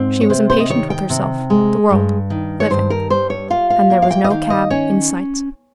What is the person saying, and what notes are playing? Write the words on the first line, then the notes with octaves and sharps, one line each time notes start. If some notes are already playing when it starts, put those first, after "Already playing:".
She was impatient with herself, the world, living,--and there was no cab in sight.
Already playing: G#2 C4
C#5
C3 C5
C5
D#5
D#3 C#5
G5
C3
G#3
G2
D#3
C#5
G2 C5
A#4
G3 C5
C#5
F4 F5
F5
A#3
F5
G5
D#5
D#3 F5
D#5
C#4 C#5